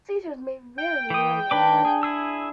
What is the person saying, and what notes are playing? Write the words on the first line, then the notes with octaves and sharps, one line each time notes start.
Seizures may very rarely occur.
G5
E3 D#6
D#3 D4 B4 D6
G#4
E4 G#4 E6